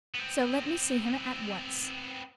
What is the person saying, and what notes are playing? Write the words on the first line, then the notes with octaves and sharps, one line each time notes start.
So let me see him at once.'
B3 C4